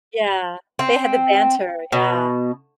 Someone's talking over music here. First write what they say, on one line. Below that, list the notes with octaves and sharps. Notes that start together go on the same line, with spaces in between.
Yeah, they had the banter. Yeah.
C4
B2